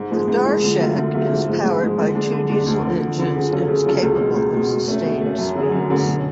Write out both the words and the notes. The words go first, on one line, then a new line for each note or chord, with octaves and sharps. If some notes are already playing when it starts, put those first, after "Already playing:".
The "Darshak" is powered by two diesel engines and is capable of sustained speeds.
Already playing: G#2
F3 G#3
G#2
F3 G#3
D3
F#3 A3 F4
D3
F#3 A3 F4
G#2
F3 G#3
G#2
F3 G#3
D3
G#3 D4
D3
G#3 D4
D2
D3 F3
D2
D3 F3
C#3
F#3 C#4 F4 A4
C#3
F#3 C#4 F4 A4
C#2
B2 G#3
C#2
B2 G#3
B2
A3 C#4
B2
A3 C#4
F#2
D3 F#3 C#4 G#4
F#2
D3 F#3 C#4 G#4
B2